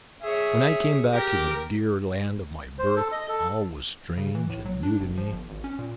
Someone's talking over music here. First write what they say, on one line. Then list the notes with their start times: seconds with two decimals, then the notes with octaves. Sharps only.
When I came back to the dear land of my birth, all was strange and new to me.
0.22 G#4 C#5 E5
1.13 G4 A#4
2.78 C5
2.96 A4
3.12 D#5
3.28 A4
4.17 C#3
4.35 E3
4.49 A2
4.65 F#3
4.83 D4
5.00 F1
5.18 F3
5.32 G1
5.49 G#1
5.64 C#4
5.79 A#2